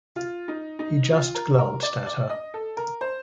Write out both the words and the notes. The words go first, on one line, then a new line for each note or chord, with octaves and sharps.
He just glanced at her.
F4
D#4
D#4
F4
A#4
A#4
D5
D5
D#5
A4
A#4
C5